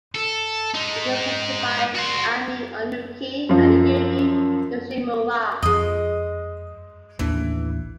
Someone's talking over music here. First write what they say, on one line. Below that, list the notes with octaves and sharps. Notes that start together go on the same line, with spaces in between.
It was hosted by Ami Onuki and Yumi Yoshimura.
A4
G#3 D#4
F#4 C5
F#2 F3
F2 F3 G#3 D#5
A1 D#2 E3 D4